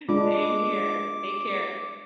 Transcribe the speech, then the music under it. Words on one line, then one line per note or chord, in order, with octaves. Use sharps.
Same here. Take care.
G#3 D4 F4 G#4 D6